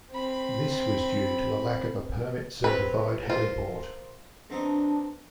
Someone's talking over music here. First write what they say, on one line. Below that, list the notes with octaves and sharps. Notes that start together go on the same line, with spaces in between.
This was due to a lack of a permit-certified heliport.
C4 B5
F#3 C4 B4 C#5
A#2 F4 C5
E2 C4 D4 D#4